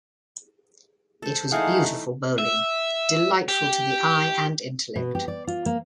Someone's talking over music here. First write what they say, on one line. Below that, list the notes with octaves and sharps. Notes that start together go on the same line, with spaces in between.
It was beautiful bowling, delightful to the eye and intellect.
A4 C5
E3 A3 D#4 G#4 F5 F#5
E5
G4
B2
G4
D5
F4
A#3